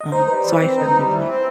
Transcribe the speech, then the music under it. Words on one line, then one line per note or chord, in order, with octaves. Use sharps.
Um, so I certainly believe
D#5
D#4 C5
G3 B4
E3 C5
C4 B4
D#4 B4
G3
E3
C4